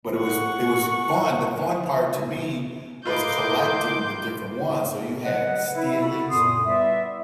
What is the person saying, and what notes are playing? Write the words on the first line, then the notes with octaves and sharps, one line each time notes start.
But it was it was fun the fun part to me was collecting the different ones, so you had steelies,
F#5 C#6
F4 A#4 B4 D#5 C6 D6 G6
C#3 F#3 B4 D#5 F#5
E4
F#4 A4 B5
F#2 A#2 B3 A4 C6 D#6
G3 B3 E4 B4 D5 E5